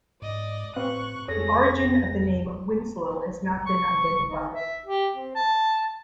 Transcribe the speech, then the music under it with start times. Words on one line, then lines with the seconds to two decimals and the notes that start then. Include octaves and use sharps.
The origin of the name Winslow has not been identified.
0.22 G#2 D5 D#5
0.76 A2 C4 B4 F5 C#6 F#6
1.28 F2 G#4 A4 C#5 A#6
3.66 C#6
4.28 D#4
4.53 E5
4.86 G4
5.15 C4
5.35 A5